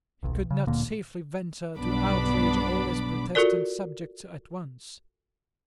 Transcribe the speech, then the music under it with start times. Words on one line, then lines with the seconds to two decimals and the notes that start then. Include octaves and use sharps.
He could not safely venture to outrage all his Protestant subjects at once.
0.23 D#1 B1
0.51 C#3
0.67 D1 A#2 D3 A#3
1.76 B1 G2 B3 D4 B5 D6
3.35 F4 F#4 A4 A#4 D5